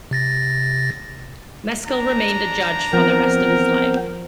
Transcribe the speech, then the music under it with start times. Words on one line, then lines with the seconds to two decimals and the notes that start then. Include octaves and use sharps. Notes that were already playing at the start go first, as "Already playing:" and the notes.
Meskill remained a judge for the rest of his life.
0.11 C3 A6 A#6
1.87 D4 A#5
2.93 F3 B3 C4 A#4 C5